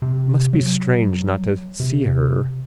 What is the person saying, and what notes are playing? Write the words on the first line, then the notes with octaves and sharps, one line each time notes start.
Must be strange not to see her.
C3
F#3
C3